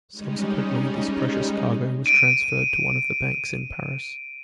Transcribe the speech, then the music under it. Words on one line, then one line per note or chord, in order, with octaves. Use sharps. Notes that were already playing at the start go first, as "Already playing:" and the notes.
Subsequently, this precious cargo was transferred to one of the banks in Paris.
G3 G#3 C#4 D#4
D7 D#7